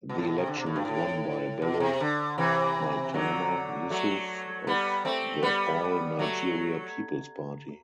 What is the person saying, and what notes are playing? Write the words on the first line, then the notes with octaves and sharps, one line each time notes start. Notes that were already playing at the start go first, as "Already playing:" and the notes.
The election was won by Bello Maitama Yusuf of the All Nigeria Peoples Party.
B2
A2
B2
C3
D3
C3
A2
G2
A2
B2
C3
D3
C3 E3
D3 F#3
F#3 A3
G3 B3
A3 C4
G3 B3
F#3 A3